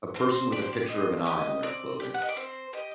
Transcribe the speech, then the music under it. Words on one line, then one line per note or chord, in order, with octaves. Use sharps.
A person with a picture of an eye on their clothing.
C4 C5
G4 D5
C5
D5
C4 D#5
G4 D#5
C4 D5
G4
F#5
D#5
D5
C4 C5
G4 D#5